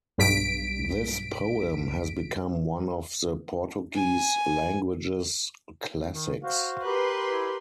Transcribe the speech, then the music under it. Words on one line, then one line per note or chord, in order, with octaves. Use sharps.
This poem has become one of the Portuguese language's classics.
B1 G2 B6 D7
G#5
D#3
F#4 C5 F5
G4 A#4 B4 C6
E4